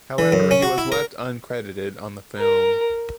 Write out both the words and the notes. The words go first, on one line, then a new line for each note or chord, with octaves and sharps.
However, he was left uncredited on the film.
E3
F#2
C#4
F#4
E4
A#4
A#4